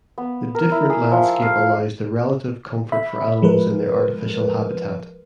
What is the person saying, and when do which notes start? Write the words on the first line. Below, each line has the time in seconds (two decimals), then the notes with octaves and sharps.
The different landscape allows the relative comfort for animals in their artificial habitat.
0.18 B3
0.55 A#4
0.72 E4
0.90 G#4
1.12 F3
1.42 F5
2.92 E5 B5
3.42 F3 G#3 A#4 B4